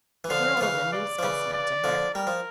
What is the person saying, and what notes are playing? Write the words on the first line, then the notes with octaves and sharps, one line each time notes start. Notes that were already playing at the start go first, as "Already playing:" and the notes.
The girl was a new specimen to her.
E3
D3 F3 F5
F3
C#3 E3 F5
D5
F3
C#3 E3
D5
D3 F3
G3 A#4
F3